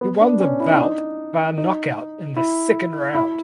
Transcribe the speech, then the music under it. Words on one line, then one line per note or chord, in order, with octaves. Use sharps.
He won the bout via knockout in the second round.
B3
D4
C#4
E4
D#4
D4
D#4
D#4
E4
E4